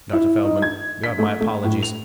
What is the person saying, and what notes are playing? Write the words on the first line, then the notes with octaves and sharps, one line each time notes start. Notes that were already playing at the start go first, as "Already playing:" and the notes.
Dr. Feldman, you have my apologies.
E4
D#4
G#6
B6
A3
A3
A2
F7